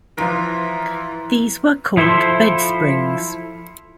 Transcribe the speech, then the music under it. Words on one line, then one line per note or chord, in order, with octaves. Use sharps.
These were called bedsprings.
E3 F3 F4 A#5
F3 E4 A4 C5 C6